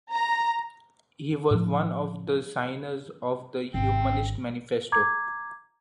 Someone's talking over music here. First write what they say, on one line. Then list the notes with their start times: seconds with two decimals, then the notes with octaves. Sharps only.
He was one of the signers of the Humanist Manifesto.
0.11 A#5
1.51 A2 F3
3.74 G#1 C4
4.92 A#5 D6 G#6